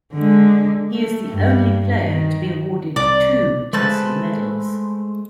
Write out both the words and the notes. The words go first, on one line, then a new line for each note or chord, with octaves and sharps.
He is the only player to be awarded two Tassie Medals.
D3 G#3
A3
G2
D#3
C2 D5
G#3 A3 B4 C5 A5